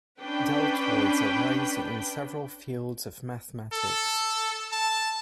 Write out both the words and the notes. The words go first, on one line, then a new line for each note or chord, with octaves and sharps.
Deltoids arise in several fields of mathematics.
C#4 D4 B4 G5
A4
A5